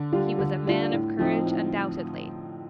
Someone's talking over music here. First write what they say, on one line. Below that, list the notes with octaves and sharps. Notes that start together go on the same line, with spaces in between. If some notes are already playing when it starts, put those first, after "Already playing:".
He was a man of courage undoubtedly.
Already playing: D3
G3 D4 F4
D3
G3 D4 F4
A2
F3 C4 D#4
A2